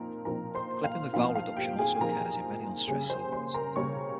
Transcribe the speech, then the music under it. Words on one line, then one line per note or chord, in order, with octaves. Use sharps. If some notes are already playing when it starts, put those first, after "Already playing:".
Clipping with vowel reduction also occurs in many unstressed syllables.
Already playing: A#2 F3 C4 D#4 A#4
A#2 F3 C4 D#4 A#4 A#5
C5 C6
F5
A#2 F3 C4 D#4 F5
F5
G4 G5
G#4 G#5
A#2 F3 C4 D#4 A#4 A#5
C#3 G3 A#3 C#4 G#4 G#5
C5 C6
C5 C6
A#4 A#5
C#3 G3 A#3 C#4 C#5 C#6